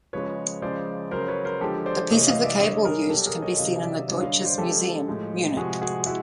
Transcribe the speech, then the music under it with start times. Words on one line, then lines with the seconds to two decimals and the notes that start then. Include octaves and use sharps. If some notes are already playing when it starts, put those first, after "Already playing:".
A piece of the cable used can be seen in the Deutsches Museum, Munich.
0.13 C#3 F3 G#3 B4 C#5
0.62 C#3 F3 G#3 C5 D5
1.11 C#3 F#3 A#4 C5
1.28 B4 C#5
1.45 A#4 C5
1.61 D3 F3 G#3 G4 A4
1.86 C5 D5
2.11 C3 E3 G#3 C#5 D#5
2.27 D#5 F5
2.44 D5 E5
2.60 D3 G3 C#5 D#5
2.85 G#4 A#4
3.04 A#4
3.10 B2 F#3 G4 A4
3.26 G#4 A#4
3.42 C#5 D#5
3.59 C3 D#3 F#3 D#5 F5
3.83 D5 E5
4.08 D3 G3 C#5 D#5
4.21 D#5 F5
4.45 C5 D5
4.58 C#3 F3 G#3 G4 A4
5.08 A2 F3 G#3
5.57 C3 F3 G#3 F#4 G#4
5.82 F#4 G#4
6.06 G#3 E4 F#4